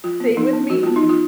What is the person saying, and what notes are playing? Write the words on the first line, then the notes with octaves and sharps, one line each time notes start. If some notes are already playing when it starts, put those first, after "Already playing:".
Same with me.
F3 F4
B3
F3 D#4
B3
F3 F#4
B3 F4
D#4
F3
F4